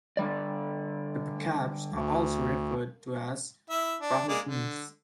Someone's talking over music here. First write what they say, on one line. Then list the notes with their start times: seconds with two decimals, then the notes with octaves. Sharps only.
The Bacabs are also referred to as "Pauahtuns".
0.17 D3 G3 D5
1.93 D2
3.70 E4 E5
4.01 D4
4.28 G#3 A#3 D5
4.46 D3